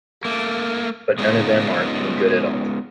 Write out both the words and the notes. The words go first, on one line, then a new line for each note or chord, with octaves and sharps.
But none of them are any good at all.
A3 A#3
G#3 B3 C#4 D#4 F4